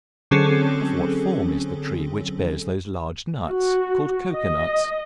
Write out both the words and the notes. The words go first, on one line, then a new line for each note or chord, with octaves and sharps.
Of what form is the tree which bears those large nuts, called Cocoa nuts?
D3 F#3 C4 C#4 G#4 A4
F#4
D#5